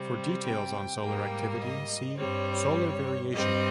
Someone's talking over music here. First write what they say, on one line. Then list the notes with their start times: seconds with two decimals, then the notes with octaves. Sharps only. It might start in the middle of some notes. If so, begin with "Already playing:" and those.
For details on solar activity see: solar variation.
Already playing: C3 G3 C4
0.41 G5
1.00 G#2 G3 A#3
1.58 D#5
2.16 G2 G3 C4 C#5
3.33 G2 G3 C4 D#5